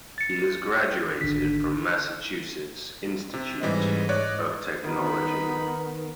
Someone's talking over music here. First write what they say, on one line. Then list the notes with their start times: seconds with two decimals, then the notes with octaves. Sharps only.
He has graduated from Massachusetts Institute of Technology.
0.18 A6 C#7
1.21 G#1 D3 B6
3.34 C3
3.62 G#2 E3 G3 C4 D#5
4.09 C#5 D5 F#6
4.84 D#3 B3 D#4 B5